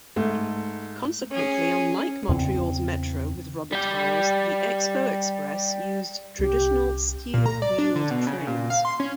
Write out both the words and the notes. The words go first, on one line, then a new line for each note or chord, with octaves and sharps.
Consequently, unlike Montreal's Metro with rubber tires, the Expo Express used traditional steel-wheeled trains.
G#2 A3
C#4 G#4
E2 C#3 C4
G3 G5
C2 C#4 G4
A#2
A#5
D5
D4
D3
B2
C#3
A#2
F5
C6
C#4